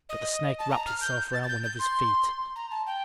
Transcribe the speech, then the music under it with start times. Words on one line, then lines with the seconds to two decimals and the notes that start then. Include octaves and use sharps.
But the snake wrapped itself around one of his feet.
0.09 D#5
0.58 A5
0.70 A#5
0.86 F6
1.01 G6
1.32 A6
1.43 A6
1.47 G6
1.63 G6
1.79 C6
2.55 A#5
2.71 A5
2.86 G5